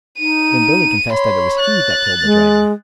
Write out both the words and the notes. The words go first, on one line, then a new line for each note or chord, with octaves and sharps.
Then Billy confessed that it was he that killed the dragon.
D#4 D#7
C#5 B5 C6
F#6 A6
G#3